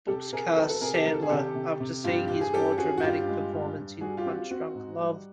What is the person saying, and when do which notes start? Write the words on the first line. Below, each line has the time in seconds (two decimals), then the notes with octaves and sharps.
Brooks cast Sandler after seeing his more dramatic performance in "Punch-Drunk Love".
0.08 C3 G4 A4
0.32 C3 G#4 A#4
0.57 F#3 A4 B4
0.69 A4 B4
0.81 C3 G#4 A#4
0.94 G4 A4
1.06 D#3 A#4
1.14 A4
1.22 G#4
1.29 C3 G4 A4
1.55 C3
1.80 C3
2.04 G2 F4 G4
2.28 G2 G4
2.41 G#4
2.54 C#4 G4 A4
2.78 C#4 F#4 G#4
2.98 F#4
3.02 G2 F4 G4
3.28 G#3
3.52 G2
3.76 G2
4.01 G3 F#4 G#4
4.17 F4 G4
4.26 C4 F#4
4.34 F4
4.50 C4 F#4
4.75 G#2
5.00 G3